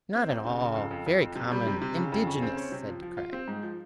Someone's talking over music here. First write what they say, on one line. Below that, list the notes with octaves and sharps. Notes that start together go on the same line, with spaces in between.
"Not at all; very common; indigenous," said De Craye.
C4
D#2
C#3
C#3
F2
F2
F2
F2
C3
G3
C3
C3
C#3
F2
C#3
C4
C#4
C3
F3
F3
F4
C4
G#2
F3